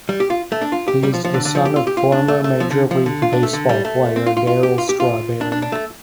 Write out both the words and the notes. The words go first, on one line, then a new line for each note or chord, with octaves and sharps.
He is the son of former Major League Baseball player Darryl Strawberry.
G3
G4
F4
A3
D4
F4
G4
G3
F3
F3
D3
D3
F3
G4
F4
G4
F4
D4
A3
A3
F3
D3
F3
D3
F4
D4
A3
D3
G3
A3
C4
F4
F4
F4
G4
F4
G4
F4
D4
D4
D4
A3